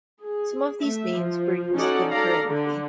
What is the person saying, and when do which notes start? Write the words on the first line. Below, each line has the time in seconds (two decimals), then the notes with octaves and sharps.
Some of these names were used concurrently.
0.25 G#4
0.82 A3 E5
1.15 F3
1.75 C#4 D#4 F#4 A4 D5 F#5
2.10 A4 D5 F5 A#5
2.46 D3